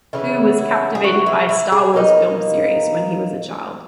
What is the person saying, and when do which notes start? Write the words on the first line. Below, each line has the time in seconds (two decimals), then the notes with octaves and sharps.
Koo was captivated by "Star Wars" film series when he was a child.
0.13 C#3 E3 B3 E4
0.58 E4
0.95 G#4
1.04 F#4
1.26 E4
1.49 E4
1.72 G#4
1.94 B2 A#3 D#4